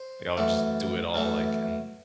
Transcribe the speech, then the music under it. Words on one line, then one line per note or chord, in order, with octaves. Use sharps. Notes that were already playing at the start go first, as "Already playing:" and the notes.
like, I would just do it all like, and
Already playing: C5
F#2 E3 A3
F#2 E3 A3